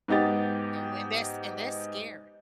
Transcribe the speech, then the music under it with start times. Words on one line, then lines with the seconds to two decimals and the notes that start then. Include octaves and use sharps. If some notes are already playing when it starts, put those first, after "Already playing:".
and when that's and that's scary.
0.08 G#2 B3 D#4 G4 A6